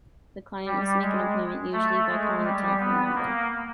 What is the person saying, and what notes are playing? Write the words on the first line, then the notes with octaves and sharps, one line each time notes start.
The client must make an appointment, usually by calling a telephone number.
G3
G#3
A3
G#3
G3
B3
A#3